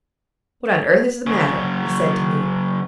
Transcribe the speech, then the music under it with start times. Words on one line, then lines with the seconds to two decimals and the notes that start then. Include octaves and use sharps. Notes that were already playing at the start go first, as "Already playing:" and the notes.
'What on earth is the matter?' he said to me.
1.27 F#2 C#3